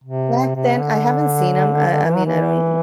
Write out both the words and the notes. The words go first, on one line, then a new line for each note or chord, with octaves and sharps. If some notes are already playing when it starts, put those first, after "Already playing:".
back then, I haven't seen 'em. I I mean, I don't
C3
C3
D3
E3
F#3
E3